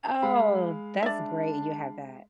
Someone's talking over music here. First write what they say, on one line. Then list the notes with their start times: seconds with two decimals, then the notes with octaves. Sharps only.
Oh, that's great you have that.
0.22 G#3 F5 B5
1.03 D4 D5 E5